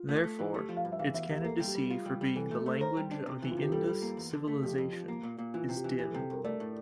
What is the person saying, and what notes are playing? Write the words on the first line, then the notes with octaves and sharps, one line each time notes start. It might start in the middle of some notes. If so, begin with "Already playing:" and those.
Therefore, its candidacy for being the language of the Indus Civilization is dim.
Already playing: F4
A3
A3
E3
A3 G4
F3
F5
G2
E5
E3 F5
E2 E5
E2 G4
A#4
A#3 A4
G3
G4
G3
F4
G3
G3
E3 A4
A3
A4
A3
A#4 C5
G3
D4
C3
E3
F4
C3
G4
G3 A4
G3
A#3
E2
D3
A3
F2 G4
F2
F3
A#3
A#2
A#2
E3 F4
C3
G4
E3
E3 G4
A4
C3
A4
C2 A#4
A3 D5
A2